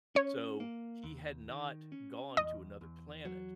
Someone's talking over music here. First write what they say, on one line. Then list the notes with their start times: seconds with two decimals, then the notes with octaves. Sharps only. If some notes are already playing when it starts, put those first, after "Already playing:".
So, he had not gone to another planet.
0.15 C#4 C#5
0.60 A#3
1.04 D#2
1.49 D#3
1.92 C#4
2.37 E2 D#5
2.81 E2
3.25 F#3